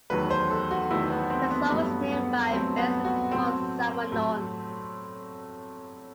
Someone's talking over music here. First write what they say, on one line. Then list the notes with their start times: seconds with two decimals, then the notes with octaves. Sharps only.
The song was named by bassist Paul Simonon.
0.10 E2 D#3 F#3 A3 B4
0.30 C5
0.51 A4
0.71 F#4
0.90 E2 D#3 F#3 A3 E4
1.10 B3
1.30 C4
1.51 B3
1.70 G2 F#3 A3 B3
2.11 B3
2.51 G2 F#3 A3 C4
2.78 B3
3.05 F#4
3.31 A2 F#3 A3 C4
4.11 A2 F#3 A3